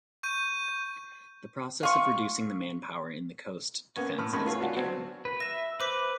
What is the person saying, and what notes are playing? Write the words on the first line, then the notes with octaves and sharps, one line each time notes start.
A process of reducing the manpower in the coast defences began.
C#6 G6 D#7
F4 C#6
A#3 B3 C#4
A2 B5 F6
F2 G#2 D#3 A3 C#4 B5
E3 B3 F4 G#4 C#5
D4 F4 F#4
D3 F#3 B3 C4
B4
E5 A#6 E7
B4 C5 D6 B6